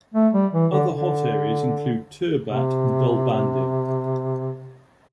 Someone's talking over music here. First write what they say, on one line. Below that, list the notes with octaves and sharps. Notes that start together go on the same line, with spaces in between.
Other hot areas include Turbat and Dalbandin.
A3
G3
E3
D3
D3
C3